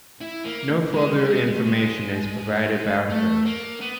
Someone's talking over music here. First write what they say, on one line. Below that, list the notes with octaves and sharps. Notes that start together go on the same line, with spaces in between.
No further information is provided about her.
E4
A#3
G#3
G3
G#3
G#3
A3
G#3
A3
A#3
B3